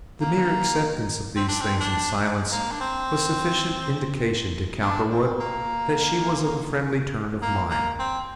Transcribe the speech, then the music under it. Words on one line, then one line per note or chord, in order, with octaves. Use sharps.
The mere acceptance of these things in silence was sufficient indication to Cowperwood that she was of a friendly turn of mind.
A#3
C4
D4
C4
D4
A#3
D4
C4
D4
C4
A#3
A#3
A#3
C4